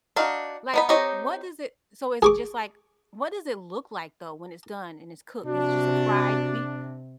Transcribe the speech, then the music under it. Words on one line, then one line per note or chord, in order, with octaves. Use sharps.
Like, what does it so is it just like what does it look like though when it's done and it's cooked? Is it just a fried pie
D4 D#4 F#4 F5
B3 D#4 B5
C4 D#4 G4 C#5 D#5
G#4 C#6 D6
C3 D4 F#4